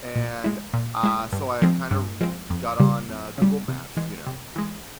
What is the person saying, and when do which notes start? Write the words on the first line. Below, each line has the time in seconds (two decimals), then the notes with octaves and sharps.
and, uh, so I kind of r r got on, uh, Google Maps, you know,
0.15 A#2
0.44 G#3 E4
0.74 A#2
1.03 G#3 E4
1.33 G2
1.62 F3 G#3 C4
1.91 G2
2.21 F3 G#3 C4
2.50 F2
2.80 C#3 G3
3.09 F2
3.38 C#3 G3
3.68 C3
3.97 E3 G#3
4.27 C3
4.56 E3 G#3